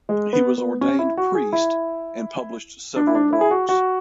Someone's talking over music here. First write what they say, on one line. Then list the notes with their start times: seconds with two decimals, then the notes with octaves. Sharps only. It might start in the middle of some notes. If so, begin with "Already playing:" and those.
He was ordained priest and published several works.
0.09 G#3
0.33 B3
0.58 B3
0.81 C#4
0.99 E4
1.17 F#4
1.35 G#4
1.53 E4
2.96 D4
3.07 E4
3.15 D4
3.33 E4
3.41 G#4
3.51 F#4
3.69 F#4